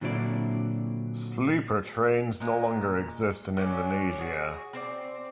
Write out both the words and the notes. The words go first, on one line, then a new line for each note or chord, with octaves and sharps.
Sleeper trains no longer exist in Indonesia.
A#2 D3 F#3 C4 E4 D5
A#2 G#3
F#3 C#4 D4
F#4 G#4
C4 C5 D5